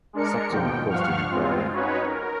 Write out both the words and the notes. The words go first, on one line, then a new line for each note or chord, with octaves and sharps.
Saxony Coast in Gaul.
G#3 D4 A#4 C#7
D#2 G#2 B2 F3 G5
G2 F3 F5 F#5 C#6 F6
G2 G#3 C4 F4
C#4 D#4 F#4 B4 C#5
A#4